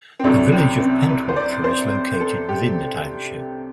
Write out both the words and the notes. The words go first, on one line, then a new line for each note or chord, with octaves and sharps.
The Village of Pentwater is located within the township.
C4
C2 C3 F#3 A3 D4
C4
C4
B4
C5
D5
C5
A4
G4